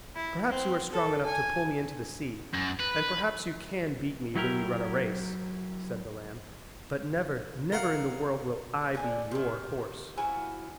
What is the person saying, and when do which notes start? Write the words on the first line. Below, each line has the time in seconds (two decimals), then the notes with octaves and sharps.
"Perhaps you are strong enough to pull me into the sea, and perhaps you can beat me when we run a race," said the lamb, "but never, never in the world will I be your horse."
0.16 E4
0.49 C4
0.92 A4
1.24 G#5
2.54 F#2
2.80 B4
4.35 F#3 E4 G4 A#4
7.72 A#4 F5 F#5
8.95 D3 G#5
9.31 C3 D#3
10.18 F3 E4 F#4 G#5